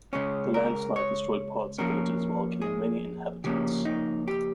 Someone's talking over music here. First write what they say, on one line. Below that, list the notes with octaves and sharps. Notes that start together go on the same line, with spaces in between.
The landslide destroyed parts of villages while killing many inhabitants.
C#3 G#3 C#4 C#5
A#4
C#5
F3 A#3 C#4 A#4
G#4
C#3 F3 A#3 C#4 G4
D#4
G4